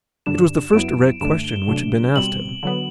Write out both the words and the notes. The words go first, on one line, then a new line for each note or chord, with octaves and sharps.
It was the first direct question which had been asked him.
G2 D3 G3 D4 E7
F#2 F#3 B3 E4 D7
G2 D3 A3 D4 E7
G7
C3 F#3 A3 D4
B2 G3 C4 F#7
D3 F#3 B3